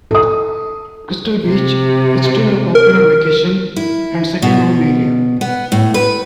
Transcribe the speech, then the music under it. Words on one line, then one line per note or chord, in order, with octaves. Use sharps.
Crystal Beach is still a popular vacation and second-home area.
A4 D#6
C3
A#4
E4
B2
B3
A2
B4